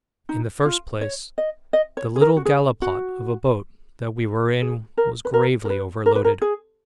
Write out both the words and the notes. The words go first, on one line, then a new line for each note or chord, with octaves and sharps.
In the first place, the little gallipot of a boat that we were in was gravely overloaded.
D#4
F4
C#5
D#5
D#5
C#5
G#4
A#4
F#4
G#4
F#4
G#4
A#4
B4
A#4
A#4
B4
A#4
B4
A#4
G#4